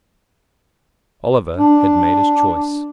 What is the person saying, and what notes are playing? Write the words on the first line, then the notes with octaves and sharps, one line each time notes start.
Oliver had made his choice.
D4